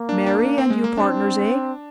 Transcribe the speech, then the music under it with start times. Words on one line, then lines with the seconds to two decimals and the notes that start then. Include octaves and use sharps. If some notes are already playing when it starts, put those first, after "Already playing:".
Mary and you partners--eh?
Already playing: A#3
0.09 D4
0.26 D4
0.43 D4
0.58 C4
0.70 G#3
0.84 A#3
0.97 C4 D4